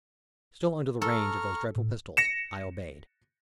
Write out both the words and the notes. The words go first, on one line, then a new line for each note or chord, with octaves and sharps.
Still under the range of those dreadful pistols, I obeyed.
A4 A#5 C#6 F6
A2
A#6 C#7 E7